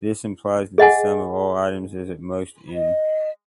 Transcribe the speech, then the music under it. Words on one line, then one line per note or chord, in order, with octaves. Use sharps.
This implies that the sum of all items is at most "m".
G#4 D#5 F#5 G#5
D#5